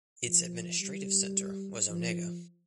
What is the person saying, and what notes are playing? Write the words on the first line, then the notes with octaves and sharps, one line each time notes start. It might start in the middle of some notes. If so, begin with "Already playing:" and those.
Its administrative centre was Onega.
F3
G3
F3